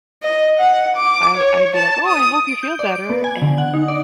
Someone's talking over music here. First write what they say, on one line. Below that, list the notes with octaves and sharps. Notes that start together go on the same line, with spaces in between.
I I'd be, like, "Oh, I hope you feel better." And
D#5
F#5
D6
C#5
A5
D#6
D7
G6
D5
D7
B3
G#5
D3
F#5
D#4
D5